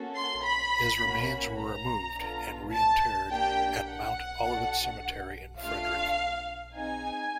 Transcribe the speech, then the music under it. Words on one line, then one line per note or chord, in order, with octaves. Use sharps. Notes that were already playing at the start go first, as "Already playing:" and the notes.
His remains were removed and re-interred at Mount Olivet Cemetery in Frederick.
Already playing: A#3 C#4 F#4 A4
C6
B5
A#3 C#4 F#4
A#5
B3 D4 F4 A4
A5
A#3 D4 G4 G5
F#5
D4 F#4 A4
A3 D4 F4 F5
C4 D#4 G#4 G#5